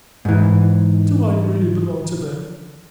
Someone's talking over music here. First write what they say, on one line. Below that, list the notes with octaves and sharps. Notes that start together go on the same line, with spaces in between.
Do I really belong to them?
G#2 E3